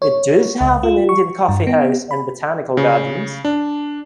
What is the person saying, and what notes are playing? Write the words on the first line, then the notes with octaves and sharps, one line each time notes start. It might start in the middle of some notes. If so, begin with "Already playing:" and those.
It does have an Indian Coffee House and Botanical Gardens.
C#5
C#2
F4
C#6
G2
B3
B5
C#3
D4